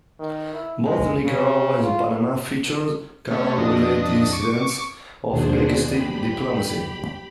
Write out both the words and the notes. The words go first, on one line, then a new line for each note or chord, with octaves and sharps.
Both Nicaragua and Panama featured canal related incidents of Big Stick Diplomacy.
D#3
E4
G#3
C#3
F4
A3 C#4
F2 D4 D#5
C#6 D6
D#2 B2 D4 G#4 C5
G4 B5